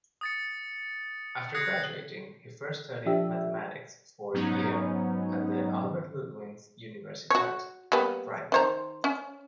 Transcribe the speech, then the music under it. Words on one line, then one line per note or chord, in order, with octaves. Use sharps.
After graduating, he first studied mathematics for a year at the Albert-Ludwigs-Universität Freiburg.
D#6 A6 C#7
D#6 F#6 G#6 A#6 C7 C#7
F3 D4 G4 E5
G#2 F#3 B3 C#4 D#4
F#4 C#5
G3 A#3 B3
D#3 C5 A#5
C#4